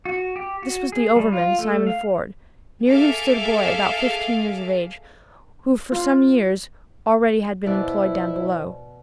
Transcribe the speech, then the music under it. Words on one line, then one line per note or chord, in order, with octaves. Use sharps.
This was the overman, Simon Ford. Near him stood a boy, about fifteen years of age, who for some years already had been employed down below.
F#4
G4
F#4
G#4
G3
F4
A3
F5
G#4 A4 E5 F5 D6 F6
F4
B2 E4 C5 D5 D#5 F#5